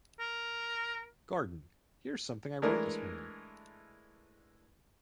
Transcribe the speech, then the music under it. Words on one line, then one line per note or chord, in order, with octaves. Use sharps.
Garden: "Here's something I wrote this morning".
A#4
E3 G#3 A3 D4 A#4